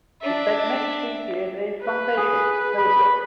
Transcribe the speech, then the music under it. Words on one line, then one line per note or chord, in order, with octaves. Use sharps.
He spent the next two years at his plantation, Milbrook.
D4 E5
B4
G#4
B5